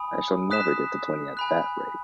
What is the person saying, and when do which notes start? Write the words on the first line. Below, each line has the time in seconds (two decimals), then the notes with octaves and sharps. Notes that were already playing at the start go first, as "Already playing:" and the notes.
I shall never get to twenty at that rate!
Already playing: G#5 B5 D#6
0.51 D#6 F#6 B6 E7
1.37 G#5 B5 F#6